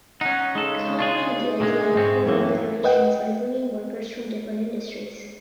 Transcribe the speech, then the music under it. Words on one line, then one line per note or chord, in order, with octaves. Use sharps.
Khan had the idea of forming federations by bringing workers from different industries.
C#4 D#4 F#5
C#3 G#3 D#4 A4
D4 F4 G#4
A#2 D3 G#3 G#4
G#2 C4 C#4
F#2 A2 E3 A#3
B4 D#5 F#5 G5